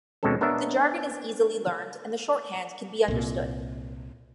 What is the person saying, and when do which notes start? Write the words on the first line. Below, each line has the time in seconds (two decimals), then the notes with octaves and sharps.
The jargon is easily learned and the shorthand can be understood.
0.23 D#2 B2 G#3 C4 C#4 A4
0.41 B3 D4 A#4 C#5 D#5 E5
3.08 C2 A#2